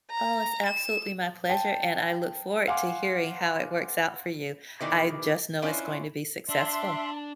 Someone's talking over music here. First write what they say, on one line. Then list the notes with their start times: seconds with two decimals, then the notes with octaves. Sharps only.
Oh, it's absolutely my pleasure, and I look forward to hearing how it works out for you. I just know it's going to be successful.
0.11 A#5
0.66 E7
1.49 G5 A5
2.68 F5 F#5 G#5 C6 D6
4.81 B2 D#3 E3 G#4 D5 D6
5.62 C#4 D4 E4 F4 C5
6.49 D4 E5 A5 C6